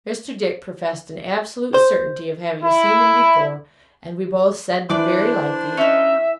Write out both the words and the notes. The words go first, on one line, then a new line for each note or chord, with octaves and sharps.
Mr. Dick professed an absolute certainty of having seen him before, and we both said, 'Very likely.'
C5
E4
E3 D4 B4 C5 D5 D6
C#4 D#4 E5